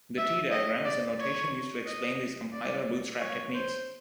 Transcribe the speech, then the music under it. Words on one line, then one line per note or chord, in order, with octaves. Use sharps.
The T-diagram is a notation used to explain these compiler bootstrap techniques.
E5
D#5
D5
C#5
D#5
D5
C#5
C5